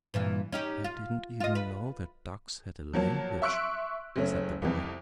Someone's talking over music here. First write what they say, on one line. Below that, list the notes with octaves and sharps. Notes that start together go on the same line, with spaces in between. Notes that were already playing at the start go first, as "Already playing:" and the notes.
"I didn't even know that ducks had a language," said the boy.
G2 A#2 E3
C#4 D#4 G4
F4
F4 D#5
B4
F3 F#3 A#3 A5
E5 C6 C#6 E6 F#6 D7
F#1 C#3 A3 C#4
C2 F2